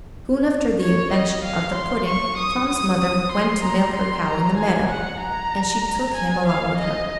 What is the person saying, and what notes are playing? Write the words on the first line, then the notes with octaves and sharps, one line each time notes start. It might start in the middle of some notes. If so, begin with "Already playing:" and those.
Soon after the adventure of the pudding, Tom's mother went to milk her cow in the meadow, and she took him along with her.
C#5
D#5
F5
C6
C#6
D#6
D#6
D#6
C6
A#5
C6
A#5
G#5
F#5
A#5
G#5
F5
D#5